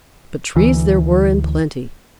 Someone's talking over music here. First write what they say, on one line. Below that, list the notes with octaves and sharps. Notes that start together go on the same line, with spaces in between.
But Trees there were in plenty.
D2 E3